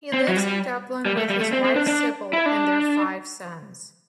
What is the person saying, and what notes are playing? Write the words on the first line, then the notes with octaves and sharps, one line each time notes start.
He lives in Dublin with his wife Sibylle and their five sons.
C4
F#3
G3
G3
A3
G3
A3
C4
C4
D4
D4
E4
D4